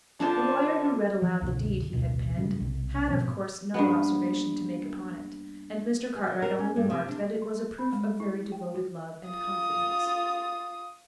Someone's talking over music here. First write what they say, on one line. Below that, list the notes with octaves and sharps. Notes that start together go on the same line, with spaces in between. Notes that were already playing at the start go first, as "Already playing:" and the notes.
The lawyer who read aloud the deed he had penned, had of course no observation to make upon it, and Mr. Cartwright only remarked that it was a proof of very devoted love and confidence.
D3 D4 F4 C5
F3
C2 F#2 B2 D3
A1 D2 B2
G#2 C#3 F#3 G3
B1 C3
G#2 B2 F3 C4
G2 A#3 B3
G#4
F#3
A#4
C#4
G2
C3
D4
C6
B5
G#3
E4
G5
F#4
F4 D#6